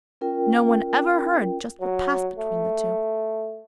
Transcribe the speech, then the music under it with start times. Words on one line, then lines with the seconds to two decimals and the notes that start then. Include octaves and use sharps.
No one ever heard just what passed between the two.
0.21 C#4 F4 A#4 G5
1.80 F#3
2.38 A3